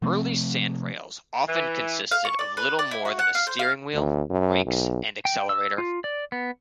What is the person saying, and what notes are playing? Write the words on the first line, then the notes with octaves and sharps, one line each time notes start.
Early sandrails often consisted of little more than a steering wheel, brakes and accelerator.
C3 F3 A3 C4
E3
F5
C#6
D5
B4
D5
E4
F#4
F#5
F5
C5
F5
D2
F#2
B1
G5
E6
F4
D5
B3